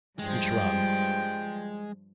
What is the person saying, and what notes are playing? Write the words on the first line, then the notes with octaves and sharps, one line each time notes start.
He shrugged.
G2 F3 G#3 G5